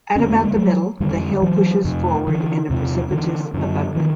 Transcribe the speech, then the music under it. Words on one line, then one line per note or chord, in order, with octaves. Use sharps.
At about the middle, the hill pushes forward in a precipitous abutment.
F2 D3 B3 C#4
A3 B3
G#3 A#3
F#3 G#3
F2 D3 F3 G3
E3 F#3
F2 C3
D3 E3
E2 C3
D3 E3
F#2 D3
D#3 F3